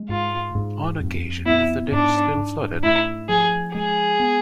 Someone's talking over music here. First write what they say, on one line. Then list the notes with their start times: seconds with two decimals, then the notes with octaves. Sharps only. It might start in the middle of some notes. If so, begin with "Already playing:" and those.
On occasions the ditch still flooded.
Already playing: G#3
0.09 G#2 F4
0.55 G#2
1.00 F2
1.46 B3 E4
1.92 G#2 D4
2.37 G#2
2.83 A3 E4
3.29 F3 G#4
3.74 G#3 G#4
4.20 B3